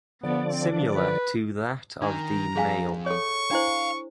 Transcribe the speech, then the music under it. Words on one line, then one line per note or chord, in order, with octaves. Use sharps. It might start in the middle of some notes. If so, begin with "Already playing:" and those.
Similar to that of the male.
D3 F3 B3 D5
C4
D4
B4
D#3 D4 A#5
F2 F3 G#4 F5 G#5
A4 C#5 C#6
D4 E4 C5 F5